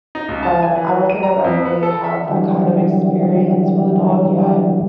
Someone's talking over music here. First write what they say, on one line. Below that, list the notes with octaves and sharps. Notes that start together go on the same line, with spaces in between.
but I don't think I've ever really had that kind of experience with a dog yet.
D#4
C#2
A5
G#5
E3
D#7
A#5
F2
B3
A4
E5
D3 E3 F#3 G3